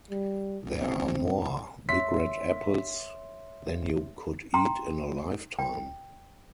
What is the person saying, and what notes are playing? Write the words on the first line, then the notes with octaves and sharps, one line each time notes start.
There are more big red apples than you could eat in a lifetime.
G3
C4
C#5 E5 C6 B6
G5 A#5 C6
G5